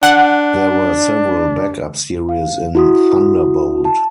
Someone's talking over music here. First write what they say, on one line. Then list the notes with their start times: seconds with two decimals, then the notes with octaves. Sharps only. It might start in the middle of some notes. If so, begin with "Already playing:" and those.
There were several backup series in "Thunderbolt".
0.03 D4 F#5
2.29 F5
2.75 E4 F#4 D#6
3.85 A5